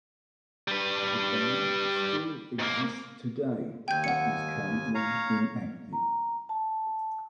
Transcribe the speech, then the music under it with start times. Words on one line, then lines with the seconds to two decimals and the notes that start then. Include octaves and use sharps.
The band still exists today, but is currently inactive.
0.68 G3 B4
2.59 G#2 A#3
3.88 D#2 G5 G#5 G6
4.04 F#5 C#7
4.95 C#5 F5 A#5
5.93 A#5
6.49 A5